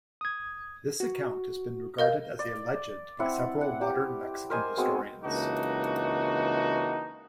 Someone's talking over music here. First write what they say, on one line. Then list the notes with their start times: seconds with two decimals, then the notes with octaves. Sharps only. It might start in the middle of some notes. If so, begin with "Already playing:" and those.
This account has been regarded as a legend by several modern Mexican historians.
0.21 D#6 G#6
1.00 F#4
1.98 A#4 D#5 F5 G6
2.39 D5
3.20 C4 E4 F#5
3.61 F#5
3.81 G4
4.50 A#4 C5 D#5 G#5
4.77 G#3 B3 C4 F#4
5.23 C#2 E3 A#3 D4 D#4 F#4